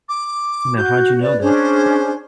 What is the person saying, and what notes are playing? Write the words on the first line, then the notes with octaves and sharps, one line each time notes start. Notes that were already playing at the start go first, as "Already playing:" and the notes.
Now how'd you know that?
D6
F#4 G6
B4 D5
C#4 D4 G#4 C5